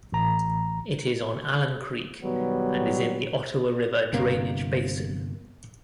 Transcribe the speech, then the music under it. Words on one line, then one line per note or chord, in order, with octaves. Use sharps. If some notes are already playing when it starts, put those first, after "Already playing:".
It is on Allen Creek and is in the Ottawa River drainage basin.
A1 A#5
B2 D#3 F#3 G3 B3
G1 C3 A#3